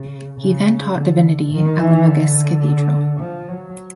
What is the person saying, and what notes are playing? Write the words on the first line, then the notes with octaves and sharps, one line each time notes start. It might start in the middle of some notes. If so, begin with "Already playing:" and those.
He then taught divinity at Limoges Cathedral.
Already playing: C#3
C#3
D3
D#3
E3
D3
F3
F#3